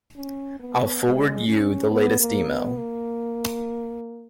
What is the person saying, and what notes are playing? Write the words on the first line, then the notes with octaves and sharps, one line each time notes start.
I'll forward you the latest email.
C#4
B3
G#3
C#4
B3
A#3
B3
A#3